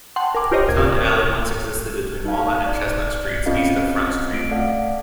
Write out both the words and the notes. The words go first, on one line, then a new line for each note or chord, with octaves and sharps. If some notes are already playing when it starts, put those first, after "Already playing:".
Tun Alley once existed between Walnut and Chestnut Streets east of Front Street.
F#5 G5 A5 C6
A#4 G#5 D6
F4 G4 A#4 C5 C#5 D#5
D2 A#2 G4 G#6
A#4 D5
D#4 A4 F5
D5
C4 C#4 F4 A4 D#5 F5
A3 D7
A4 D5 F5 F#5